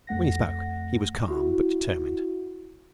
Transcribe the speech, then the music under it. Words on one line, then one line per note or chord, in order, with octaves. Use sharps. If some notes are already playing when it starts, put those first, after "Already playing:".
When he spoke he was calm, but determined.
F2 A3 F#5 A#6
E4 F#4